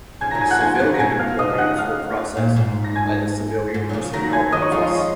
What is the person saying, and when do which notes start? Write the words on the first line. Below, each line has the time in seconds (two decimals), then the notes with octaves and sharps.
Civilian employees were processed by the Civilian Personnel Office.
0.21 C#3 F3 G#5 G#6
0.31 D#3 F#3 A#5 A#6
0.41 G#5 G#6
0.47 C#3 F3 F#5 F#6
0.60 F3 G#3 G#5 G#6
0.80 D#3 F#3
0.94 A#6
1.00 B2 D#3 G#5 G#6
1.19 F5 F6
1.39 C#3 D#5 D#6
1.58 F#5 F#6
1.78 F5 F6
2.37 A#2
2.56 G#2
2.84 A#6
2.96 G#5 G#6
3.74 G#2
3.89 F#3
3.93 C#3 F3
4.13 D#3 F#3 A#5 A#6
4.25 A#6
4.33 G#5 G#6
4.52 D#3 F#3 D#5 D#6
4.62 C#5 C#6
4.72 F3 G#3 F4 F5
4.82 D#5
4.91 C#5